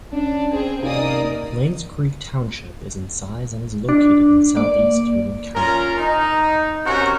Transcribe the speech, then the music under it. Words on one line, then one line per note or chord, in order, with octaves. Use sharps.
Lanes Creek Township is in size and is located in southeast Union County.
C#4 D4
C4 G#4
C3 A#3 D#4 A#4 D5 D#6
D4
A#3 D5
C#4 F4 A#4
D#4
C3 C#4 F#4 A#4